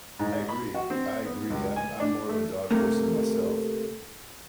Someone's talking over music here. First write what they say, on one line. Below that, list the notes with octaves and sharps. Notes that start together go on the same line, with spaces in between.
I agree, I agree. I'm I'm more of a dog person myself,
G#2
B5
F#4
C4
B3
C#2
G#5
D4
A3
C3 A3 A#3